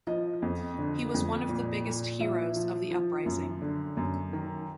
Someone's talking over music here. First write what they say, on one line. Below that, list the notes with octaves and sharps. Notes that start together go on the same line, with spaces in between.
He was one of the biggest heroes of the Uprising.
F3 D#5
F2
D3
F2
A#2
A#2
F3 E5
F3
F3
F#2
D3
F#2
D#3